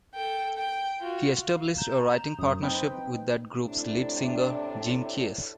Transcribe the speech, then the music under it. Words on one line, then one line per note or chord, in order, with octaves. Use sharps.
He established a writing partnership with that group's lead singer, Jim Keays.
A4 G5
G5
F4 F#4
F5
A#5 G6 E7
F#2 D#6
C4 D#4 B4 G5
A2 C3 D4